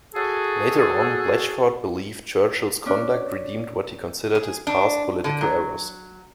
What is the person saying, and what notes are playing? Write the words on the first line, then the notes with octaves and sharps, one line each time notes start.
Later on, Blatchford believed Churchill's conduct redeemed what he considered his past political errors.
F#4 G#4 A4
C#4 D4
G#4
D4
D3
F#3